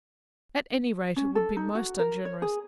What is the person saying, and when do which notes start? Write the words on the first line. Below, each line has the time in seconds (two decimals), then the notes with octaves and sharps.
At any rate it would be most ungenerous.
1.16 C#4
1.35 A4
1.57 D#4
1.75 F#4
1.99 A#4
2.25 C#5
2.42 G#4